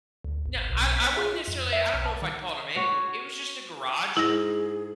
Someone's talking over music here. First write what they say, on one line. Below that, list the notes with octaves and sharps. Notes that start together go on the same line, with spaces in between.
No, I I wouldn't necessarily I don't know if I'd call it a "man cave." It was, just, a garage.
D2
G#1
B1
B6
G#4
F4
F2
E5
B1
A5
D#3
F#4 C#5
G#2 E4 G#4 A#6